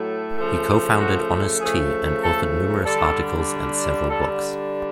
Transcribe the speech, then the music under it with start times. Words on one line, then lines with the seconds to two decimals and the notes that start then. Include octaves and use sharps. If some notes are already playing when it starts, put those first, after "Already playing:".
He co-founded Honest Tea and authored numerous articles and several books.
Already playing: A2 F#3 A3
0.37 C#3 F3 A3
0.99 F#4
1.61 C#3 F3 A3 G#4
2.22 A4
2.85 D3 G3 A4
4.08 D3 G3 A4